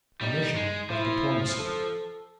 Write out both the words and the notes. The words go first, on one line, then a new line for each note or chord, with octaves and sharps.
A mission of diplomacy.
G3 D#4
G#3
F3 E4
A4